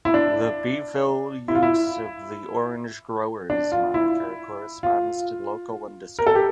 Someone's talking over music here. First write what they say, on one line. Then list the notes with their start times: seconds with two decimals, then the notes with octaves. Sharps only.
The Beeville use of the "Orange Growers" moniker corresponds to local industry.
0.05 E4
0.14 D4
1.48 E4
1.55 F4
1.63 E4
3.50 D4
3.72 F4
3.94 E4
4.83 F4
6.19 A#4
6.27 A4
6.35 G4